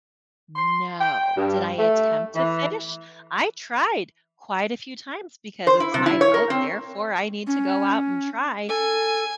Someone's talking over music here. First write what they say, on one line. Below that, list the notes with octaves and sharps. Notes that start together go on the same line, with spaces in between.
No. Did I attempt to fish? I tried quite a few times because it's my boat, therefore I need to go out and try,
C6
G5
G2
A3
E3
C5
E4
C3
E4
C#5
A#4
C4
C#4
A4 G#5